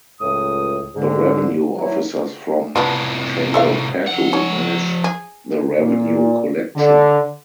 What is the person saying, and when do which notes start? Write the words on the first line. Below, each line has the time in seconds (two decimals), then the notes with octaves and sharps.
The revenue officers from Chengalpattu manage the revenue collection.
0.21 C#2 A2 D#6
0.95 G#2 D3
1.76 F#3 E4
2.76 A2 C3 B3 D4 F4
3.54 A4 E5 F5
4.08 F3 F#5
4.33 C#4
5.04 G#4
5.81 A#2
6.76 D3